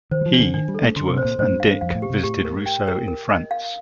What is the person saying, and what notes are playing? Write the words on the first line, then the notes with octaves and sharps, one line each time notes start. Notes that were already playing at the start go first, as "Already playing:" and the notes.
He, Edgeworth and Dick visited Rousseau in France.
D#3 C5
G3
F3
D4
D3
D#3 D4
G3
A4
A3
D3 C6
C3
C5
A#2
A2 C5
G2
F5
G2
F2 F5
A2
G4
C3
A2 G4
A#4
G5
A#4
A#4
D#5
F5